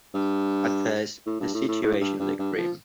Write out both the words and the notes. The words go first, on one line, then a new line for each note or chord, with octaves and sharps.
At first the situation looked grim.
G2
A2
G2
A2
A2
A2
G2
G2
G2
F3